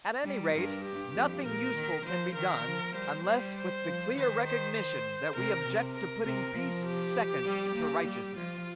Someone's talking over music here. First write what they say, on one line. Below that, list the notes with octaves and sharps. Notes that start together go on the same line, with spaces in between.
At any rate nothing useful can be done unless with the clear recognition that we object to putting peace second to righteousness.
G3
G2 A#4
G4
F2
A#2 A#4
D#3
F3 C5
D#3 A#4
F3
G3 C5
G3
C5
F3
D#3 C5
C5
C5
C3 A#4
C3
A#4
C3 A#4
F3
G4
G3
A#3
G3 G4
F3 F4